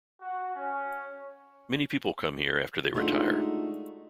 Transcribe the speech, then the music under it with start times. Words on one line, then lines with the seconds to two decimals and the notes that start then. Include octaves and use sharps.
Many people come here after they retire.
0.21 F#4
0.54 C#4
2.94 G#3 A3 D4 D#4 F4 F#4